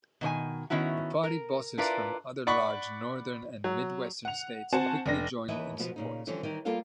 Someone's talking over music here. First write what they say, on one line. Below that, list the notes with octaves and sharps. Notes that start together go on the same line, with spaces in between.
The party bosses from other large Northern and Midwestern states quickly joined in support.
B2 D#3 C#5 G#5
D#3 B3 C#4 E4 F#4
A#4
D4 E4 F4 A#4 B4 D5
D5 F#5 B5 C#6
F#3
F#5 F7
C4 F#4 C5 G#5 A5
F1 D4 A#6
D#2 E3 D#4 B4 D#5 E5
B2 F3 B3 F#4
A#2 C#3 D#4
D3 E3 F3 G3 C#4
D#3 E3 G3 D#4
G3 A#3 B3 F4 A4 F5